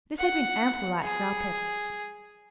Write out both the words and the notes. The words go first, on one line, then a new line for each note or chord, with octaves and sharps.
This had been ample light for our purpose.
F#5
G#4